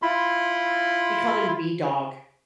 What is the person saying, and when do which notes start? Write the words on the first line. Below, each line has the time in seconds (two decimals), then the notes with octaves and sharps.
We called him B-Dog,
0.02 E4 F4 B5 C6